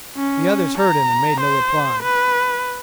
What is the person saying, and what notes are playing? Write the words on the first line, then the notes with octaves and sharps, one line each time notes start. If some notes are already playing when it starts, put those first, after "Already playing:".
The others heard him and made no reply.
C#4
A#5
C5
B4